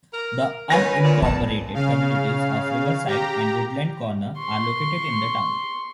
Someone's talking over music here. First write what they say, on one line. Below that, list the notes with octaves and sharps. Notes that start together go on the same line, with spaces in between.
The unincorporated communities of Riverside and Woodland Corner are located in the town.
A#4
D#3 F#3 C#4 B4 G#5 A#6
A#2
F2 B3 A5
C#3 F5
G4 A#5
C6 C#6